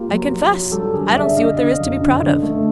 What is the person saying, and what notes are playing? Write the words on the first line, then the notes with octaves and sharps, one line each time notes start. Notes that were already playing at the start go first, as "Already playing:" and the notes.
'I confess, I don't see what there is to be proud of.
Already playing: A#3 F4 G4
F#3
F#3
F#3
G3 G4 A4
D3 G#4 A#4
D3 D5 E5
D3 D#5 F5
D3 D#5 F5
F#2
D3
D3
A3